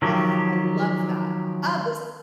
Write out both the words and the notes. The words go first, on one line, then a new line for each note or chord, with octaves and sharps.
Ugh, I love that. Oh, this
D#3 F3 F#3 G4